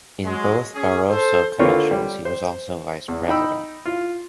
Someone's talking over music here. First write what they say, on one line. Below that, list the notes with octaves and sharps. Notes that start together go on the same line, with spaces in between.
In both Barroso Commissions he was also vice-president.
F#3 G#3
C#4 G#4
A4 C5
D3 A#3 C4 F4 B4 C#5
G3
C5
E2
D#4 G5 B5 E6
F4